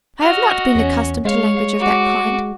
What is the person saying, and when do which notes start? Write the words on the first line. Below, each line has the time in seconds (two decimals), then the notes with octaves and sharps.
I have not been accustomed to language of that kind.
0.21 F#4 D#5 F6
0.75 E2 C#4
1.25 G#3 C#5 F5
1.79 F#4 D6